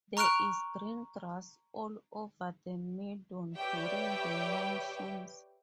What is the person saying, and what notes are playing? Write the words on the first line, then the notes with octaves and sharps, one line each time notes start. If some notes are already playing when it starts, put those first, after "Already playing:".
There is green grass all over the meadow during the monsoons.
A#5 C#6 F6 F#6 D7 F7
G4 B4 C#5 D5 E5 G5